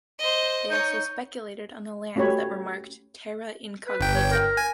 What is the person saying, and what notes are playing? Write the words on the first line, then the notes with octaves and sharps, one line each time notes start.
They also speculated on the lands that were marked "terra incognita".
C5 D#5
D#4 C#5 G6
A3 C#4 F#4 G4 C#5 B5
B4
G1 G5
C#5
A#4
G#5